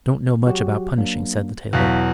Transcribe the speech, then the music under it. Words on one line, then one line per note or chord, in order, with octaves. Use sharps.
"I don't know much about punishing," said the tailor.
F#3 F#4 G4
F#3 A#3 D4
E2 B2 F#3 E4 F5 B6